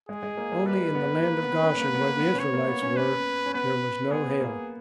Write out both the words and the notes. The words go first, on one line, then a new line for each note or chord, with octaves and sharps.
Only in the land of Goshen, where the Israelites were, there was no hail.
G#3 G#4
G#3
A#3
A#3
G3 B4
B3
A#3
B3
C#4
A#3
B3
B3
A#3
B3
C#4
B3 C#5
A#3
B3
C#4
C#4 B4
C#4
B3 B4
B3 G#4
B3
A#3